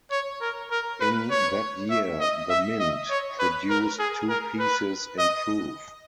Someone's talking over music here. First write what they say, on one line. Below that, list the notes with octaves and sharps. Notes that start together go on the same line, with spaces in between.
In that year, the mint produced two pieces in proof.
C#5
A#4
A#4
B4
C#5
E5
D#5
E5
D#5
C#5
B4
A#4
G#4
A#4
B4
D#5